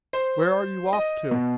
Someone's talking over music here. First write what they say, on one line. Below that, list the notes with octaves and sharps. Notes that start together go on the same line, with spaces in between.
"Where are you off to?"
C5
D#5
B2